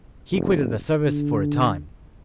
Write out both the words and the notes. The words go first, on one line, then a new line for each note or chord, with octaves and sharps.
"He quitted the service for a time."
F1
D3